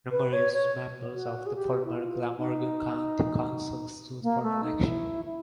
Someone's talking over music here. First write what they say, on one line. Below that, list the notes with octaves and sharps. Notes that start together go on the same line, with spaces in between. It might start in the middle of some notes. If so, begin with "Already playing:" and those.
Numerous members of the former Glamorgan County Council stood for election.
B4
C#5
C#5
F#4
G#4
G4
E4
F4
D#4
A#3
A3
D#4
E4
E4